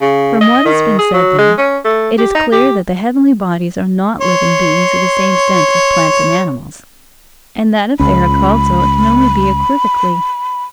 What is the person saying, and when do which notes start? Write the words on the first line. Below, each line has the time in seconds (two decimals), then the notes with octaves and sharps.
From what has been said, then, it is clear that the heavenly bodies are not living beings in the same sense as plants and animals, and that if they are called so, it can only be equivocally.
0.01 C#3
0.41 D#5
0.65 D#3
0.99 G#4
1.14 F#3
1.38 G#3
1.58 C#4
1.85 A3
2.18 G4
2.34 D#4
2.52 G4
4.21 C#5 C6
7.99 C#2 C#4 B5